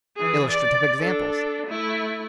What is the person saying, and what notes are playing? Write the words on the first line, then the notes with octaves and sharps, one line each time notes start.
Illustrative examples.
E3 G#4
D5
D4 A4
A3 E4